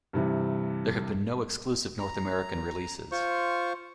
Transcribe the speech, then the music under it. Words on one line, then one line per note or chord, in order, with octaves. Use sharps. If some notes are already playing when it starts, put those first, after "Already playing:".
There have been no exclusive North American releases.
G2 C3 E3
A#5
F4 C5 C#6